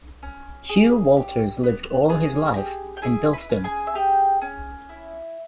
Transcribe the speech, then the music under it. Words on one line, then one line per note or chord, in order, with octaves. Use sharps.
Hugh Walters lived all his life in Bilston.
C#4
G#4
G4
B3
B3 G#4 G#5
G4
G5
E4 G#4 G#5
B4 B5
C#4
G#4 G#5
E5
G4 G#4 G5
C#4
E4